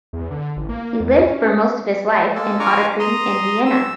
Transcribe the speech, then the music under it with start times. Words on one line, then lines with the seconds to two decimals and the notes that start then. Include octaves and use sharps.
He lived for most of his life in Ottakring in Vienna.
0.13 E2
0.31 D3
0.57 A1
0.69 A#3
1.00 E2
1.23 C#4
2.35 G#3 A#3 A4
2.59 D4 F4 G#5 A#5 C#6 D6
2.99 A#5 C6 D#6
3.66 E6